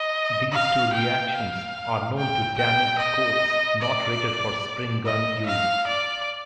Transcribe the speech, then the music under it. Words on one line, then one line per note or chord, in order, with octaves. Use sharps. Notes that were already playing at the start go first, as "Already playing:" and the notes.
These two reactions are known to damage scopes not rated for spring gun use.
Already playing: D#5
F5
G5
F5
G5
G5
D#5
D5
D#5
F5
D5